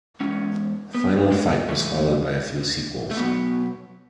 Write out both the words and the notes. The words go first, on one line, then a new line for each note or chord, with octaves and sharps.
"Final Fight" was followed by a few sequels.
E2 B2 G#3 C#4
B3
G#3
G#2 E3 G#3 A3
A3
B2 F#3 B3